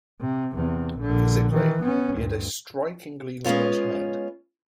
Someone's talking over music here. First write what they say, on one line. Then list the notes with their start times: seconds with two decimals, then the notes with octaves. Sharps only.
Physically, he had a strikingly large head.
0.21 C3
0.55 E2 C3
1.00 A#1 D3
1.53 D#3 E3
1.83 B3 C#4
2.17 D2 G2
3.44 G#3 B3 C#4 F4 C#5